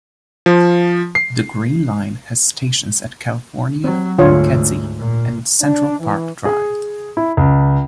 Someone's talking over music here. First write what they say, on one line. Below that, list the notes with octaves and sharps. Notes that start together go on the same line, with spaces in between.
The Green Line has stations at California, Kedzie, and Central Park Drive.
F3
C7
F#3 C4
D2 G#2 D3 F4 C#5
A#2
D4
E3
G#4
E4
C#2